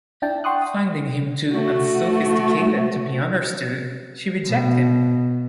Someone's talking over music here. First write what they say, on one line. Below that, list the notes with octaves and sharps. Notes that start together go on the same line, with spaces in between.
Finding him too unsophisticated to be understood, she reject him.
D4 E4 G5 A5
F#5 G5 C6 C#6 D#6 F#6
D#6
A3 F#4
B2